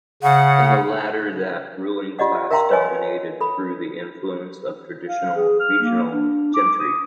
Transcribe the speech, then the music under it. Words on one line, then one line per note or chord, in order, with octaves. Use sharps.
In the latter, that ruling class dominated through the influence of traditional regional gentry.
C#3 F#5
F4 G4 D5 D#5 F#5
E5
A#4 E5 F5 G5 A#5 C6
B4 C#5 D#5 G#5
A4 B5
F5
G#4
F6
A#3
D4
D6
D#6